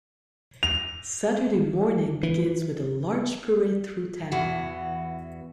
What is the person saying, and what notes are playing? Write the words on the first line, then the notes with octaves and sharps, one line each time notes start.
Saturday morning begins with a large parade through town.
F7
E3
E2 E3 F#4